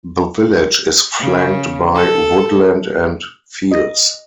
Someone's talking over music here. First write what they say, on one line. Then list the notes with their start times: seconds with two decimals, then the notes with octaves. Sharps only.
The village is flanked by woodland and fields.
1.20 C#3
1.96 A4
3.71 D#5